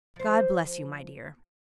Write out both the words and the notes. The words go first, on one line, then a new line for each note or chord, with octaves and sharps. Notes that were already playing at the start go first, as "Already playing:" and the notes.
God bless you, my dear!
F3 C5